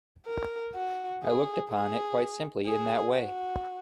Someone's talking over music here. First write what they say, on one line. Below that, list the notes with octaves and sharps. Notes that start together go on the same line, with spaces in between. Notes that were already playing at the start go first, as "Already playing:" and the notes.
I looked upon it quite simply in that way.
A#4
F#4
G#4
G#4
G#4
F#4